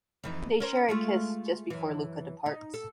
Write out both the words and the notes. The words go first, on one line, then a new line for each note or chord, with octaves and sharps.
They share a kiss just before Luca departs.
F2 E3 D#4
C#4 A#4 C5
G#3 A3 F4
F#2 E3
D#4
A4